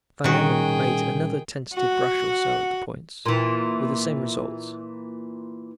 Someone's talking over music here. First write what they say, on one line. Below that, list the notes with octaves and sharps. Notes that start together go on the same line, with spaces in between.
Van Emmon made another tentative brush or so at other points, with the same result.
A#2 D#3 G3 C#4 F#4 G#4 G5
F#4 F#5
A#2 E3